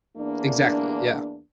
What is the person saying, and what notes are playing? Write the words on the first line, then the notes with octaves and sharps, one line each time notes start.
Exactly, yeah.
E2 A#3 D4